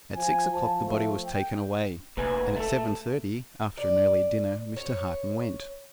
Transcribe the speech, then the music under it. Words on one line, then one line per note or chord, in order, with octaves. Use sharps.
At six o'clock the body was taken away, and at seven-thirty, after an early dinner, Mr. Harton went.
F3 G#5
F3 A5
A3
G5
F1 A#2 B4 G#5
A3 A4
D5
C#5